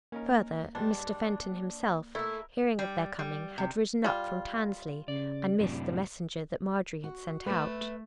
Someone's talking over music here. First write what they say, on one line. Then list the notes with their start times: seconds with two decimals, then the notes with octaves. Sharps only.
Further, Mr. Fenton himself, hearing of their coming, had ridden up from Tansley, and missed the messenger that Marjorie had sent out.
0.12 A#3 C#4 D#4 A#4
0.75 G2 G3 G#3 D4
2.15 A3 E4 A#4 E5
2.79 G3
3.19 G3
3.58 C3
4.04 G3 F4
5.08 C#3 D5
5.59 F#2 A2 C3 D4
7.04 F#4
7.46 A3 B4 E5